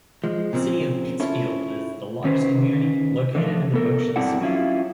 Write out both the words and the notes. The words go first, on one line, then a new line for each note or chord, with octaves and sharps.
The city of Pittsfield is the largest community located in the Berkshires.
F3 G#3
A#2 C#3 F3 C4
C#4 E4 F4 A4 C#5
D#3 C#4 B4 C5
D3 E3 F3 A3
B3 A4 A#4
G2 F#3 C4 D4 E4 F#5
F#3 C#4 E4 F4